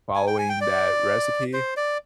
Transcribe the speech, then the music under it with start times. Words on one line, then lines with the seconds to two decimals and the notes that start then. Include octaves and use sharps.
following that recipe.
0.15 G#5
0.27 G5
0.38 G#5
0.49 G5
0.61 D5
1.53 C5
1.77 D5